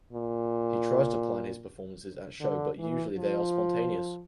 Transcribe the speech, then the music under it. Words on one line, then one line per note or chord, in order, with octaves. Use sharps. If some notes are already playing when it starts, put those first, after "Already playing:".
He tries to plan his performances at show but usually they are spontaneous.
A#2
D3
E3
F3